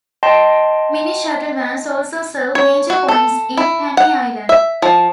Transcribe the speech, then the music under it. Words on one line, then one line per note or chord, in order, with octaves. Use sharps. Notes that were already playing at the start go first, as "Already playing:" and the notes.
Mini-shuttle vans also serve major points in Panay Island.
D#5 G5 A5 C6
C#5
F#4
A4
E4
F#5
E5
F3